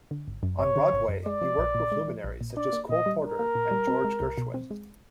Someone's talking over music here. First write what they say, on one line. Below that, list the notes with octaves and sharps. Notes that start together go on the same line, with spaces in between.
On Broadway, he worked with luminaries such as Cole Porter and George Gershwin.
D3
G#1
F#2
G#1 C#5
D3
G#1
F#2
G#3 D5
F3
A#1
A#2
G#3
F3
A#1
A#2
D4 D5
A#3
A#2 D#5
G3
D4 A#4
A#3
A#2
G3
C4
G#3
C2
B2
C4
G#3